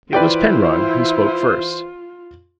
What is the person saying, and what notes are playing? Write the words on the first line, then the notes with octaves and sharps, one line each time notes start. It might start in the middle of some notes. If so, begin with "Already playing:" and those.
It was Penrod who spoke first.
E3 E4 F4 B4 C5 D5 G5